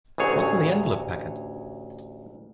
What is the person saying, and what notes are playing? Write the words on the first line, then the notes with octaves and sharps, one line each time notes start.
What's in the envelope packet?
A1 D2 G#4 C#5